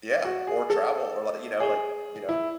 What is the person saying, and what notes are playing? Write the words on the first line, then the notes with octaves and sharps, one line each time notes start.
yeah, or travel, or like you know, like you know,
F#4
G#4
A4
G#4
E4